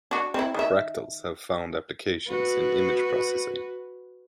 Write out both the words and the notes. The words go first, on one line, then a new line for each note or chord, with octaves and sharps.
Fractals have found applications in image processing.
D4 F#4
C4 E4
D#3 E5
F#4 B4